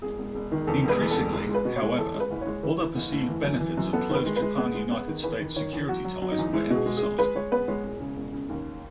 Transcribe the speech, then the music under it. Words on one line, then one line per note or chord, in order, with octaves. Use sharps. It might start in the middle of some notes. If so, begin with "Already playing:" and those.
Increasingly, however, other perceived benefits of close Japan- United States security ties were emphasized.
E1 G#4
E1
E1
D#3
E2 A4
E1 B4
E2
A4
E1
G#3
G#3
B4
B2
C#5
G#3
E2 A4
G#3
B4
F#1
C#5
G#3
E3 B4
E3
F#1
A3
E3
F#2
E3
F#2
B3 A4
D#3
B4
G#3
B4
G#3
B3 G#4
G#3
B3
D#3
E2 B4
D#3
D#3 C#5
E2
F#3 F#4
F#3
F#3
D#4
E2
G#3 E4
B2
G#4
G#3
G#4
G#3
G#3 B4
G#3 C#5
B3 B4
G#3 C#5
E1
C#3
E1
C#3
D#2